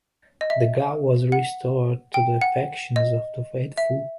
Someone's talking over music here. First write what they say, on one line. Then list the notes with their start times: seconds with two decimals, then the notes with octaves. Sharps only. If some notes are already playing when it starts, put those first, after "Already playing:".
The god was restored to the affections of the faithful.
0.41 D#5
0.50 E5
1.32 F#5
2.14 G5
2.42 F#5
2.96 D#5
3.78 E5